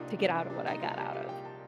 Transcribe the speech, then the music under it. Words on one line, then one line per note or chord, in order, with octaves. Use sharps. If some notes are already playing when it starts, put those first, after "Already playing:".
to get outta what I got out of,
Already playing: C2 A#2 G3 D4 D#4 F4
C2 D4
D4
A#2 G3 D4
D#4
C2 F4
G4
A#2 G3 F5
G5
A5